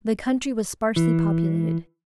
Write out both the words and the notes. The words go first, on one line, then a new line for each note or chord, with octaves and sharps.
The country was sparsely populated.
E3